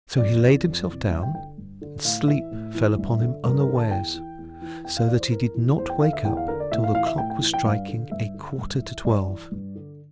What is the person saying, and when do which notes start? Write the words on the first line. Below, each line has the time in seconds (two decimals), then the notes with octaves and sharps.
So he laid himself down, and sleep fell upon him unawares, so that he did not wake up till the clock was striking a quarter to twelve.
0.18 F2 D5
0.41 C3 E3
0.64 F2
0.88 C3 E3
1.11 G2 E5
1.23 G5
1.35 D3 G5
1.58 G2
1.81 D3
2.05 A2 F5
2.28 E3 E5
2.51 A2
2.75 E3
2.99 G2
3.21 D3
3.44 G2 A#4
3.60 A#4
3.68 D3
3.76 A5
3.91 E2 G5
4.14 E3
4.38 E2
4.62 E3
4.85 E2 G5
4.97 F5
5.07 E3 D5
5.20 C5
5.32 E2 A#4
5.54 E3
5.78 E2 C5
5.89 G5
6.01 D3 F5
6.13 E5
6.24 E2 G5
6.37 F5
6.48 D3 A#4
6.60 D5
6.72 A2 E5
6.84 F5
6.94 E3 F5
7.06 E5
7.18 A2 G5
7.30 G5
7.41 E3
7.53 G5
7.65 G2 F5
7.88 D3
8.11 G2 E5
8.34 D3
8.58 G2
8.82 E3
9.05 G2 D5
9.28 E3
9.52 G2
9.75 D3